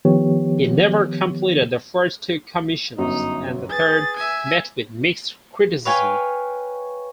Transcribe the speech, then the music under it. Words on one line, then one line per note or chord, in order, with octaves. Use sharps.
He never completed the first two commissions, and the third met with mixed criticism.
D#3 F3 B3 G4 C#5
G1 F#2 F#3 D#4
G#4 B4 A6
E5 G#5
B4 C#5 F5 G5 G#5